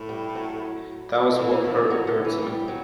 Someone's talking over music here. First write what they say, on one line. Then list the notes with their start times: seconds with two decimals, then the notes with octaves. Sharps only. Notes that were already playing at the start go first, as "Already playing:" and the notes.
That was what hurt, Bertie.
Already playing: A2
0.09 G3
0.35 F#3
1.38 A2 E3
1.51 E3
1.60 B2
1.64 A2 D3
1.77 E3
1.90 F#3
2.07 D3
2.25 E3
2.42 G3
2.68 F#3